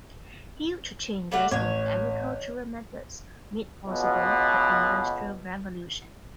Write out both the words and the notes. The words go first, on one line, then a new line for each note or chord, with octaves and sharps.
Huge changes in agricultural methods made possible the Industrial Revolution.
G3 A3 F#4
A1 C#5 G#6
C#2 B2